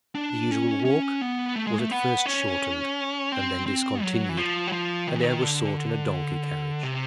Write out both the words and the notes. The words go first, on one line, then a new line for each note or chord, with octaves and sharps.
The usual walk was at first shortened, and then discontinued; and air was sought in a donkey-carriage.
D4
C#4
C#4
B3
A3
G#3
A3
B3
C#4
C4
C4
F#3
E3
F3
F#3
F3
D#3
E3
D#3
D3
C3